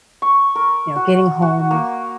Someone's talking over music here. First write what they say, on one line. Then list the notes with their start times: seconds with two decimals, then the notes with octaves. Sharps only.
you know, getting home,
0.22 C#6
0.55 A#4
0.96 F#4
1.42 F#4
1.71 A#3